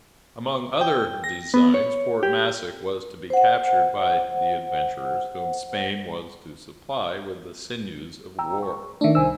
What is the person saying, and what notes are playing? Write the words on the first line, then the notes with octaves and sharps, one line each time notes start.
Among other designs, Fort Massac was to be captured by the adventurers, whom Spain was to supply with the sinews of war.
G5
A#6
B3
C#5
G4
C5 F#5
G5 A#5 E6
C#6
D#3 A3 D4 E5
C2 C5 G#5 E6